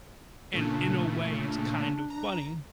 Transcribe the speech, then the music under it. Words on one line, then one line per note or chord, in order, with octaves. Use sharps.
and in a way, it's kind of funny.
A#2 C#3 A3 D4
D4
A#5